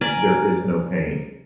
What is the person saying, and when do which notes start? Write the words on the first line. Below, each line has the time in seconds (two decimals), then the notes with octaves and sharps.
There is no pain.
0.01 A#4 D5 G#5